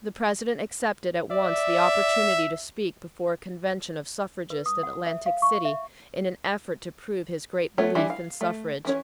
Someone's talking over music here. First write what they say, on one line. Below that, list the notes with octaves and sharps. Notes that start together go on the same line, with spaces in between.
The President accepted at once the opportunity to speak before a convention of suffragists at Atlantic City in an effort to prove his great belief in suffrage.
D5 E5
B4
D#6
F#5
E5
F5
C#6
E5
A3 B3 C#5
E3 G3 D4 E4
F5
A3
E3 C#4 C#5